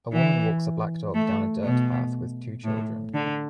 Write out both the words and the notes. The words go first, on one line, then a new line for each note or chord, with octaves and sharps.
A woman walks a black dog down a dirt path with two children.
E3
A3
B2
A2
D3